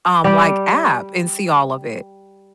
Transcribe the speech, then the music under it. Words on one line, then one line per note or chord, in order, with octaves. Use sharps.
um, like, app and see all of it?
G3 G4